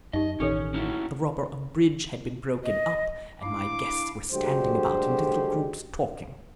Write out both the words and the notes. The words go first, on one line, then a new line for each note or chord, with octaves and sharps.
The rubber of bridge had been broken up and my guests were standing about in little groups talking.
F#2 D#4 G4 D#5
A1 B2 D#3 C#4 G4 A4 C#5
C#4 E4 F#4
D#5
D4 E4 F5 D6
D2 D3 F#3 G#3 G4 C5